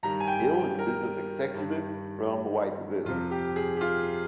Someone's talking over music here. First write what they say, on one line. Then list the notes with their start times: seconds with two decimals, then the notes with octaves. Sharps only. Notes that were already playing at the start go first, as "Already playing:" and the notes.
Hill is a business executive from Whiteville.
0.03 G2 D#3 G3 A#5
0.20 G#5
0.27 G5
0.54 G5
0.79 A#4
1.54 G2 D#3 G3
3.05 F2 C3 F3 F4
3.31 G4
3.56 G#4
3.76 G4
3.81 F4